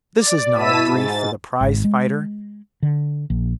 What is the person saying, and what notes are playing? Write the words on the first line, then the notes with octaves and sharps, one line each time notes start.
This is not a brief for the prize-fighter.
D5
B2 E4 A5 E6 B6 D#7
G#2 A6
G#1
G#3
D3
A#1